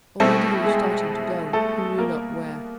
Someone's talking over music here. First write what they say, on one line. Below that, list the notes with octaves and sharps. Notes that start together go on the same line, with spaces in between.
Already he was starting to go, he knew not where.
B2 G3 A3 C4 E4 A4
G#3 G#4
A3 A4
A#3 A#4